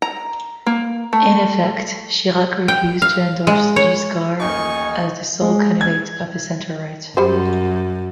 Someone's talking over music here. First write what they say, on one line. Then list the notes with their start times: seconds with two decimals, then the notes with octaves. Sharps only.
In effect, Chirac refused to endorse Giscard as the sole candidate of the centre-right.
0.02 A#5
0.66 A#3
1.13 A3
2.68 G5
3.02 F5
3.47 G#3
3.76 C#5
4.40 D#1 A1 A#3 D#4 G#5 C#6
5.41 G#3
5.81 G#6
7.17 F#2 G3 C5